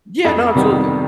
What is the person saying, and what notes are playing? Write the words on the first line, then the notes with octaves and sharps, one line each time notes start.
Yeah, no, absolutely.
F2
C3 D#3 G3 B3